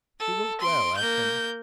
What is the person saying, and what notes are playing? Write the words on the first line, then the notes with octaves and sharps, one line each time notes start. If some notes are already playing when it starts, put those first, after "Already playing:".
She looked well at him.
A4
C6 D7
A#3 G6